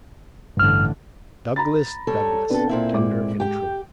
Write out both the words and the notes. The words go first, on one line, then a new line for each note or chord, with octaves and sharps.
Douglas, Douglas, Tender and true.
A1 G2 D3 F6
A#5 B5 A6
G3 A4 C#5
B2 C4 D4 A4 B4
A#2 A#3 C4 E4
G#2 D6
G4 G5